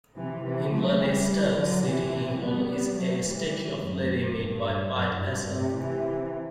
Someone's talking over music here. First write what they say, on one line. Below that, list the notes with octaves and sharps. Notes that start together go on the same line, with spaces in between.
In Lelystad's city hall is a statue of Lely made by Piet Esser.
C3 E3
C3 E3
F#3 A3
E3 G3
D3 F#3
C3 E3
G3 B3
G3 B3
F#3 A3
E3 G3
F#2 A2
G2
F#2 A2
G2 B2
A2 C3
C3 E3